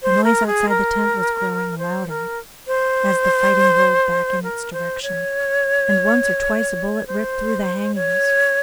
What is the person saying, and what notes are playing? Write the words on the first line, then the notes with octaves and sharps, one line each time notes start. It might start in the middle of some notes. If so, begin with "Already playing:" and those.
The noise outside the tent was growing louder as the fighting rolled back in its direction, and once or twice a bullet ripped through the hangings.
C5
A#4
G#4
A#4
C5
A#4
C5
A#4
C5
C#5
C5
C#5